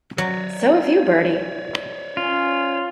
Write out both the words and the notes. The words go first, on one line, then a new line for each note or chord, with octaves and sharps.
So have you, Bertie.
F#3 C#5 D5
C#4 F4